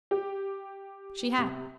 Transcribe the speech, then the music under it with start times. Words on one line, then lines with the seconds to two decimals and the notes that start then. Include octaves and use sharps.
She had.
0.11 G4
1.38 C3